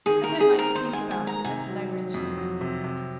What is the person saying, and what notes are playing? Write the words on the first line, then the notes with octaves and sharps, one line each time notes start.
"I don't like to think about it, let alone mention it."
D#3 G#4
A#4
D#3
G#4
C4
A#4
D#3 C5
G#5
G#3
G#5
D#3
A#5
C3 G#5
F#3
F#3
F2
F#3
C3
C3